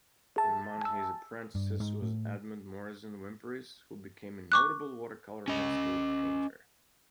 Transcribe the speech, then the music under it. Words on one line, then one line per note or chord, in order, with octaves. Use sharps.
Amongst his apprentices was Edmund Morison Wimperis, who became a notable watercolour landscape painter.
A5
G2
G#2
A2
C#6 D6 F#6
C#4 D#5